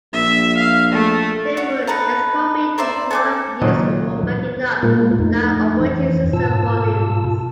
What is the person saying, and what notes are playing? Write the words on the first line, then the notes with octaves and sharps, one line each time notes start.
Therefore, Xcopy is not useful for backing up live operating system volumes.
A#1 E5
F5
A3
F#4 C#5
D#4 A4 B4 A#5
A#4 C5 D5 E5
A4 G#5 D6
C#2 A#2 D#3 F#3 D#5
A#2 G#3 A#3 F4 A#4
F2 A3 D#4
F2 E3
G#2 B2 F4 A5 E6